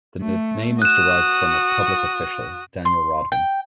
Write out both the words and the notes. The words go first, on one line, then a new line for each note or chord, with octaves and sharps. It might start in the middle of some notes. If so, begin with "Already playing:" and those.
The name is derived from a public official, Daniel Rodman.
A3
F#4 D#6 F#6 E7
C6
G5